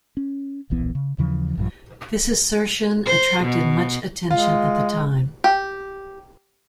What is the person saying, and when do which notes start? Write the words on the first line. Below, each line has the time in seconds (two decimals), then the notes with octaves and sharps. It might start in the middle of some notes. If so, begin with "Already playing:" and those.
This assertion attracted much attention at the time.
0.17 C#4
0.70 D1 A#1 E3 B3
0.95 C#3
1.18 D#2 C#3 E3 F3
1.57 A#1 G2 E3 F3
3.05 C5
3.44 B2
4.31 G#3 F4
5.44 G4